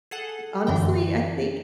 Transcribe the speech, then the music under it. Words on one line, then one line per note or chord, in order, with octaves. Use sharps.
honestly, I think
G#4 A4 F#5
F#2 D3 E3 G5